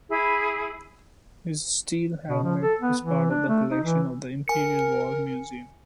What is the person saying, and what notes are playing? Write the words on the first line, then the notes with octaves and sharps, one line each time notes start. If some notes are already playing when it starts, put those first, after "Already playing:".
His steel helmet is part of the collection of the Imperial War Museum.
E4 G#4 B5
B2
F3
A4
B3
E3
D4
A3
D#4
E3
A#4 G#5 C#7